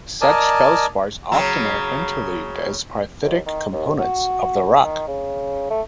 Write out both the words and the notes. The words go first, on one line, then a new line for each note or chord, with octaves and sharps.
Such feldspars often are interleaved as perthitic components of the rock.
A#4 D5 D#5 G#5 A5
C#3 F#3
D#2
D#3
D#2
F#4
D#3
C#3
A3